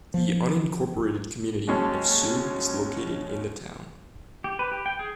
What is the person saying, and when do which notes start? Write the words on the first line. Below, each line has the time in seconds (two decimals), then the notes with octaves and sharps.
The unincorporated community of Sioux is located in the town.
0.14 F3
1.67 D#2 F#3 G#3 C#4 A5
4.44 G4
4.59 B4
4.72 G4
4.86 G5
4.99 G#4